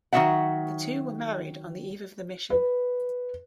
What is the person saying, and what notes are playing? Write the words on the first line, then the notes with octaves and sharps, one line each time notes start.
The two were married on the eve of the mission.
D#3 F#3 C4 F#4 E5 F#5
B4